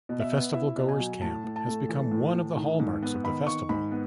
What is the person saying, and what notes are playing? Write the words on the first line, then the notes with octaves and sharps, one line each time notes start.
The festivalgoers' camp has become one of the hallmarks of the festival.
B2
E5
B3
E4 E5
B2
G#5
F#3
A2 A5
A2
A5
A3
E3
A2
A2
D#3
G#2
B3
D#3 B5
D#3 C#6
G#2 B5
B3